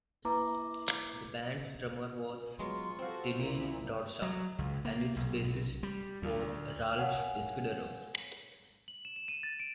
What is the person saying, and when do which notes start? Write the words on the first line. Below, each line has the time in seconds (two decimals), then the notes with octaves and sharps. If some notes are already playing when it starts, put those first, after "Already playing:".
The band's drummer was Tiny Bradshaw and its bassist was Ralph Escudero.
0.25 A#3 E4 B4 A#5 D6
2.59 F#3 G#3 B3 F4 C6 C#6
2.99 C4 F#4 G4 A4 C5 F5
3.37 C2 A#2 E4
4.22 F#3
4.59 C#2
4.85 A#3
5.16 B1
5.83 G3
6.22 D2
6.98 A#4 C#5 F5 F#5 G#5
8.88 F#7
9.05 E7
9.16 E7
9.28 D#7
9.43 A6
9.60 D7